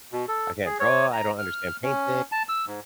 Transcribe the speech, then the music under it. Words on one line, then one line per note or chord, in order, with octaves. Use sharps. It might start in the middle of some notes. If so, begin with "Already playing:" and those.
I can't draw, I don't understand painting,
B2
A4
G#4
C#5
A#5
F6
C#4
A5
E6
G#2